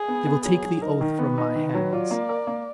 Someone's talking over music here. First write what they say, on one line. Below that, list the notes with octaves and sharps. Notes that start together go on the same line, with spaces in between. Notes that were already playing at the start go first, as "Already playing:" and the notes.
They will take the oath from my hands.
Already playing: G#4
B3
B3
F#3 G#4
F#3
D#4 A#4
D#3
B3 B4
D#4
D#3
F#3
F4 D5
A#3
A#4
A#3